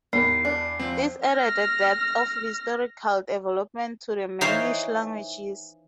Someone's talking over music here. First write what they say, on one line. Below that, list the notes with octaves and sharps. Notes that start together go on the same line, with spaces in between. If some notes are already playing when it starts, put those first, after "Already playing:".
This added a depth of historical development to the Mannish languages.
E2 D#3 G4 B5 C7
D4
F3 C4
F6 A#6
E3 D#4 C5 C#5 F5